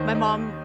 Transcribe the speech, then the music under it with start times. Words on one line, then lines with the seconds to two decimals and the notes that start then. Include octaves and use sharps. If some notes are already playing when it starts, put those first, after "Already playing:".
my mom
Already playing: D#2 D#3 C5
0.15 D#4